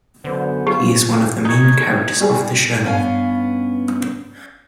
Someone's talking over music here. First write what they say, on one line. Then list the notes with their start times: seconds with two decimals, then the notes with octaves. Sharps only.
He is one of the main characters of the show.
0.24 F#2 D3 B3 C5
0.67 F4 G4
1.45 D#4 C#5
2.20 G3 G#4
2.84 G2 B3 C#4 F5 G#5